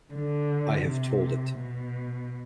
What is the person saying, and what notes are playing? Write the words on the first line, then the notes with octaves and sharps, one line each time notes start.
I have told it.
D3
C3
B2